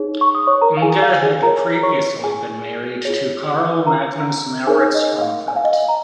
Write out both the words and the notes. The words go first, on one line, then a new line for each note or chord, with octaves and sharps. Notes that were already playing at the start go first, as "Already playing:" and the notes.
Inge had previously been married to Carl Magnus Mauritz Armfelt.
Already playing: D#4 G#4 C#5
C#6
D#6
C#5 C#6
A#4 A#5
F5
G#4 G#5
F5
G#4 G#5
F4 G#4 A#4 C#5 A#5
C#5 C#6
G#4 G#5
F4 G#4 C#5
A#4 A#5
D#4 G#4 A#4 C#5 G#5
D#5
F5
G#5
F5
D#5
F5
A#5